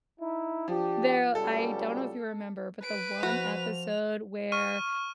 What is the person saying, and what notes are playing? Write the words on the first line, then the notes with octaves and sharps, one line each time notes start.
there I don't know if you remember, but the one episode where
D#4 E4
F3 D4 G4
C#2 B2 G3 A4
B4 D7
F3 F#4 F7
C#6 F6 D#7